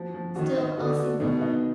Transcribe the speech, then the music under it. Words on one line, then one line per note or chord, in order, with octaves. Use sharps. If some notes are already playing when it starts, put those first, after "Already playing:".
Still Elsie lingered.
Already playing: F3 F#4
F3
D#3 F#4
D#4
D3 F#4
F#4
B2 D#3
D#4